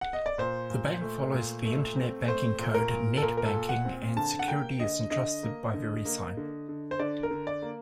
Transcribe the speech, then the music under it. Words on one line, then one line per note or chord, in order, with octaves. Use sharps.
The bank follows the internet banking code NetBanking and security is entrusted by Verisign.
F#5
D#5
D5
A#2 C5
A#2
A3
A#2
A3
C4
A3 C5
A#2
A#4
A#2
A4
A#2 A#4
A#4
A4
A#2
F#5
C4
D3 A5
F#5
A#3 G5
D3 D#5
D3 D#5
A#3
D3
A#3
D3
D3
C5
D3 D5
A#4
D3
D5
A#3